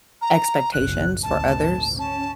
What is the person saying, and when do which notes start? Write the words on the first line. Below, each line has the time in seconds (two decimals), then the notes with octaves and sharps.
expectations for others,
0.22 A#5
0.73 F#1 B1 F#6
1.23 G#1 D2 A#2 A5
1.99 C#4 A5